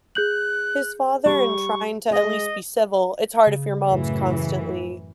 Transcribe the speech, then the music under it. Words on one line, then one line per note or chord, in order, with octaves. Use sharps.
his father and trying to at least be civil, it's hard if your mom's constantly
G#4 F#6 G6 F#7
G3 C#6
G#3 D#5
C#3
F#2 A2 E3